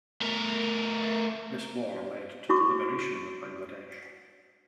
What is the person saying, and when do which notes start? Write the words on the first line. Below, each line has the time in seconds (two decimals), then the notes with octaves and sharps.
This war led to the liberation of Bangladesh.
0.21 A3 A#4
2.49 E4 F#4 C#6 D6